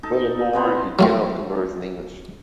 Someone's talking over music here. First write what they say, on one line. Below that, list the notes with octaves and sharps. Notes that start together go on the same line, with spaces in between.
Furthermore, he cannot converse in English.
D#4 A4
C3 B3 C5
F#3 A3 C4